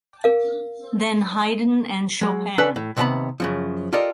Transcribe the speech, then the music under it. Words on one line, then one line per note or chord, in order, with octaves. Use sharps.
Then Haydn and Chopin.
A#4 F5
F#3 G#3
C#4 D4 A4 B4 F5
A2
D#2 C3 B3 F#5 A5 B5
F#2 C#3 F3
F4 G4 A4 A#4 D5 D#5